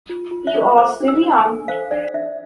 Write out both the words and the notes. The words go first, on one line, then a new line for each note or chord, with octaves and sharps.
You are still young.
F4
F4
E5
A4
C5 D6
D4
E6
D4
G#5
A4
C5 F5
D4 D5
D4 E5